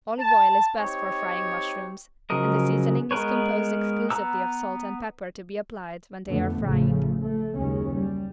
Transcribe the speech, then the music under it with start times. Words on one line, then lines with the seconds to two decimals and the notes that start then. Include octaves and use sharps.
Olive oil is best for frying mushrooms and the seasoning is composed exclusively of salt and pepper to be applied when they are frying.
0.18 A5
0.78 C4 D#4 G4 C#5
2.30 C#3 F3 F#3 A#4 D#5
3.11 G#3 B3 A#4 B4 C#5
4.10 B3 B4 A#5 E6
6.27 F2 D3 A3 B3
6.63 A1 C#3 F3 A3
7.21 A3
7.55 F#1 D#2 C#3 G#3 C#4
7.95 G3